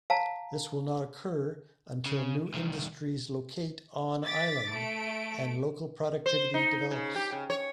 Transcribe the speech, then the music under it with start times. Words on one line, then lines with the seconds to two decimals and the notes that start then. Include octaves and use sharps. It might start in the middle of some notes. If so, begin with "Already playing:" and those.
This will not occur until new industries locate on island and local productivity develops.
0.10 F5 A5 A#5
2.06 C#3
2.54 C2 D#3
4.24 D6 A6 B6
4.69 A3 D7
6.26 C5
6.54 D#4
6.91 C#3
7.16 G4
7.32 C#3
7.50 C#5